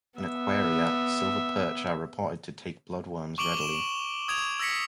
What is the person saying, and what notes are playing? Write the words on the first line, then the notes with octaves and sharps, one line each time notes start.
In aquaria, silver perch are reported to take blood worms readily.
B3 E5
C#6 D6 D7 F#7 G7
E7
D#6 G#6 D7 F7
E6 G#6 A#6 B6 C#7